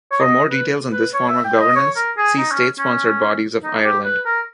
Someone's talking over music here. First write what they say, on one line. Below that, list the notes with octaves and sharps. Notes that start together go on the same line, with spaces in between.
For more details on this form of governance, see state-sponsored bodies of Ireland.
C#5
D#5
B4
B4
C#5
E5
G5
D#5
C#5
A#4
G#4
D#4
C#4
C#4
D#4
G4
B4
A#4